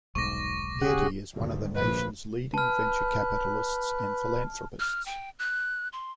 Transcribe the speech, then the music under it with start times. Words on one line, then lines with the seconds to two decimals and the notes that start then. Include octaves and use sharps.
Getty is one of the nation's leading venture capitalists and philanthropists.
0.15 D#1 B1 G#2 C#6 D6 A#6
0.81 C#3 G4 G#4 F#5
1.34 G#1 D2 G2
1.76 A#1 A#2 F3 B4
2.54 B4 A5 F6
4.80 F6
5.06 G5
5.39 F#6
5.93 C6